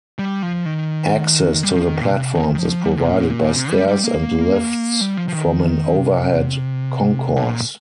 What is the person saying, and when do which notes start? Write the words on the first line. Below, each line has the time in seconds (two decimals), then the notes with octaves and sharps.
Access to the platforms is provided by stairs and lifts from an overhead concourse.
0.19 G3
0.43 F3
0.66 D#3
1.63 G3
1.75 F3
1.87 D#3
1.99 A#2
2.11 C3
2.35 D#3
2.55 D#3
2.59 F3
2.84 G3
2.98 C3
3.08 A#2
3.56 C3
3.72 G3
3.87 G3
4.04 A#3
5.01 G3
5.17 F3
5.28 F3
5.32 D#3
5.97 C3
7.36 C3
7.42 A#2